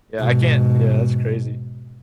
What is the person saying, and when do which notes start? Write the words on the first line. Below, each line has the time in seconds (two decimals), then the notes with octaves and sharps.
Yeah I can't yeah, that's crazy.
0.18 G#2 B2